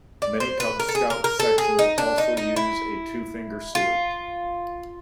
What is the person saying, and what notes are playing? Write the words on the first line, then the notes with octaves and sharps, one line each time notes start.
Many Cub Scout sections also use a two-finger salute.
D5
C5
B4
A#4
A4
G#4
A#4
A#4
A4
G#4
D#4
D4
D#4
D#4
E4
F4